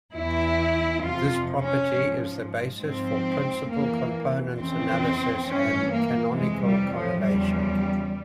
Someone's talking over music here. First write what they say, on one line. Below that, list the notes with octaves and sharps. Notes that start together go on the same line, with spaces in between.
This property is the basis for principal components analysis and canonical correlation.
E2 E3 E4
F2 C3 F3 F4
C#4
G#2 F3
G#2 F3 C4
F2 A#3
E3
F2 C#3 E3 C4
G2 E3 C#4
A#3
F2 C3 E3 G#3
G3
F3
E2 C#3 F3 G3